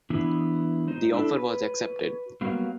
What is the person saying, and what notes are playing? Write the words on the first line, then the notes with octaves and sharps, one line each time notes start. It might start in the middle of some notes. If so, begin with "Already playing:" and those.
The offer was accepted.
E3 B3 D4 E4
G#3 D#4 C5
D4 E4 A4
B4
F#3 G3 A#3 B3 F5